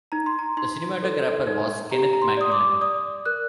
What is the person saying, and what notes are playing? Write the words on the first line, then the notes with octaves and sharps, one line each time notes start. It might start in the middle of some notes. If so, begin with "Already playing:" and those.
The cinematographer was Kenneth McMillan.
D#4 A#5
C6
A#5
D#4 C6
A4
D#4
G4 A#5
A#5
C6
D5 D#6
D6
D5 D#6
A#4 F#6